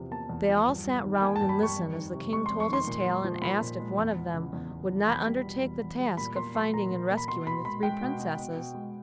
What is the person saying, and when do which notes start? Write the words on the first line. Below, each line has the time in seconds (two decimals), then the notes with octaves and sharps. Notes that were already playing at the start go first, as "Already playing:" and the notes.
They all sat round and listened as the King told his tale and asked if one of them would not undertake the task of finding and rescuing the three princesses.
Already playing: E2 C3 F3
0.12 A#3 A5
0.29 E2
0.49 F3
0.67 G2
0.85 G3
1.04 D#3
1.16 G5
1.21 A#3 G#5
1.36 A5
1.41 G2
1.49 B5
1.59 G3 C#6
1.76 F2
1.96 D#3
2.14 C3
2.33 G#3 C#6
2.46 C6
2.51 F2
2.60 C#6
2.69 D#3 C6
2.87 A#2
3.06 G#3
3.24 F3
3.42 A#2 B5
3.61 A#2
3.80 G#3
3.97 E2
4.16 F3
4.34 C#3
4.53 E2
4.71 E2
4.89 F3
5.07 E2 B5
5.26 G3
5.45 B2
5.63 E2
5.82 E2
5.99 G3
6.17 A#2 B5
6.36 A#3 C6
6.54 F#3 C6
6.74 A#2 A#5
6.91 A#2
7.10 A#3
7.17 B5
7.28 B2 C6
7.47 B2 B5
7.65 G#3 B5
7.83 G#3 G5
8.01 B2
8.20 B2
8.39 B2
8.57 B2
8.74 G#3